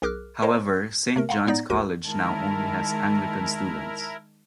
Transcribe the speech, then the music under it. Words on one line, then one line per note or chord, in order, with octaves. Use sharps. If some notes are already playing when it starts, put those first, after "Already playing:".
However, Saint John's College now only has Anglican students.
B1 G#4 A#4 D6 F6 F#6
A#4 C5 C#5 D#5 A5
C3 A3 A#4
F5 F#5 A#5 C6
A2 B3 D#4 D5 A#6
A#1 D#2 F#4 A#4 D#7
D#3 G#3 E4 A#4 A5